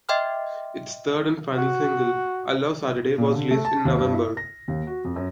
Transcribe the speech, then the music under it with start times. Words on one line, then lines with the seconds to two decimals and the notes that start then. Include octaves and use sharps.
Its third and final single, "I Love Saturday" was released in November.
0.09 D#5 E5 G5 C6 D6 F6
1.58 F#4
3.18 A#2
3.33 D3
3.51 A3
3.65 A5
3.85 D#2
3.98 G2
4.13 E4
4.37 A#6
4.68 D#2
4.87 F#4
5.05 F2
5.16 F#2